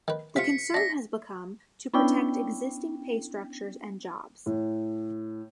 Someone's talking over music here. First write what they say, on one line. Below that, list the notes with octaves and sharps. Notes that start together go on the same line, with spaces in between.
The concern has become to protect existing pay structures and jobs.
D#3 B4
C3 F4 B6 C#7
D4 E5 A#6
B3 C#4 D4 E4 G5
A2